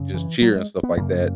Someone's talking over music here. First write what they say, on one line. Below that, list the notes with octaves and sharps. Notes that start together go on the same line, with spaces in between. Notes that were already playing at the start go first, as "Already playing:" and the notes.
just cheer and stuff like that,
Already playing: F#2 C#3
E3
F#3
G#3
B3
F#2 C#3 A#3